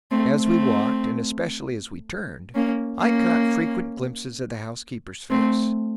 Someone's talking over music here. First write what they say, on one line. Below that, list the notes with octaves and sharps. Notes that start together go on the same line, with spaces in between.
As we walked, and especially as we turned, I caught frequent glimpses of the housekeeper's face.
A3 C4
A3 C4
A#3 C#4
A#3 C#4
A3 C4